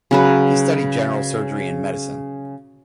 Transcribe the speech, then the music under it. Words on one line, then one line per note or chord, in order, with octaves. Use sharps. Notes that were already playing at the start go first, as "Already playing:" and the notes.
He studied General Surgery and Medicine.
C#3 F#3 B4